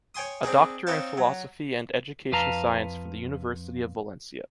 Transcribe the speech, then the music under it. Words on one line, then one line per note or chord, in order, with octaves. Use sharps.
A Doctor in Philosophy and Education Science for the University of Valencia.
C#5 G5 G#5 C6 D#6
C4 D4 D#4 G#4
C4 D#4 C5 C#5 F5 A5
F#3
F2 B4 F5 A5 A#5